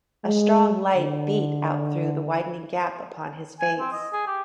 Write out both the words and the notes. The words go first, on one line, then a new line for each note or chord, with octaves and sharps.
A strong light beat out through the widening gap upon his face.
G#3
D3
G#5
C4
D#5
G#4
G4